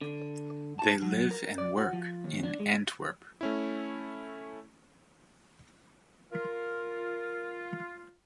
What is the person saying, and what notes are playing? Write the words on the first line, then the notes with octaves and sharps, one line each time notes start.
They live and work in Antwerp.
D3
A5
F#3
A#4
D5
F#4
F3
D#2
D4
G#3
A3 C#4 E4
F4 A#4